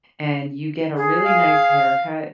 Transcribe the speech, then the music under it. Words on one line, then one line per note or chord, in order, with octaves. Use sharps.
and you get a really nice haircut,
G#4
F5